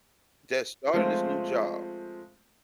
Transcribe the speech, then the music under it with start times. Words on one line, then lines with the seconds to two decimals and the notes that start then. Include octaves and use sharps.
that's starting this new job
0.93 F3 G#3 A3 C4 F4 C5